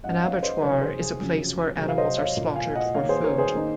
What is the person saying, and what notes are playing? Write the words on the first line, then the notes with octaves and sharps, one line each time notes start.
An abattoir is a place where animals are slaughtered for food.
G#2 F#3 C#4 D#5 F#5
C#5 F5
C5 D#5
C3 D#3 F#3 A#4 C#5
G#4 C5
G#4
F2 C#3 F#3 C#4
C3 F#3 C4 G#4
F5
C5 D#5
C#5 F5
A#2 F3 A#3
F5 G#5
D#5 F#5
D#3 A#3 D#4 C#5 F5
G#4 C5
A#4 C#5
G#4 C5
D#3 A#3 D#4